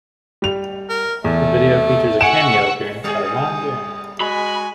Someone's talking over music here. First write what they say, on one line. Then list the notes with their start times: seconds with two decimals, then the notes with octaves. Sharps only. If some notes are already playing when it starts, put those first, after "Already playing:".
The video features a cameo appearance by Ron Jeremy.
0.42 G3 F7
0.90 A#4
1.24 E2 A3
2.21 F#5 G#5 C#6 E6 D7 E7
3.04 G3 G#4 D#6
4.21 G#3 F#4 G#5 B5